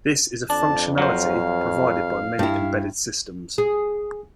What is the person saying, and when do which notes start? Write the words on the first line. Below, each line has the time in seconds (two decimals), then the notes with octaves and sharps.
This is a functionality provided by many embedded systems.
0.50 F2 D4 A5
0.98 F#3 C5 F5
2.39 G2 E4
3.58 G#4